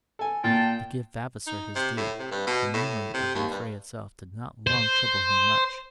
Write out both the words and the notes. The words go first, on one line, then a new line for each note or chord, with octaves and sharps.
To give Vavasor his due, the memory of the affray itself did not long trouble him much.
A4 G#5
A#2 G5 A5
D#4
C3
A2
C3
G2
B2
A2
C3
D#2
G2
C5